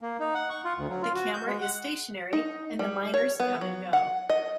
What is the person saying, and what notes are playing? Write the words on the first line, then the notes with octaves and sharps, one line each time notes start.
The camera is stationary and the miners come and go.
A#3
D#4
F#5
C#6
F4
D2
F#3
F4
F#4
G6
G#3
F#5
D#4
G3
C#5
B3
F#3
F#5
D#5